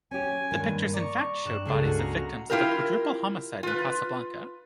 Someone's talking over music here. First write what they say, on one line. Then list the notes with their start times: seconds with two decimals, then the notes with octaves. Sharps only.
The pictures in fact showed bodies of victims of a quadruple homicide in Casablanca.
0.11 C#4 G4 G#5
0.51 G2 A#2 D#3
0.93 D5 A#5 C#6
1.45 G2 F#6 E7
1.65 C#2 G#3 A#3 A4 C7
1.85 F#4 G#4
1.99 A#5
2.50 E4 F4 G4 A#4
3.63 F4 B4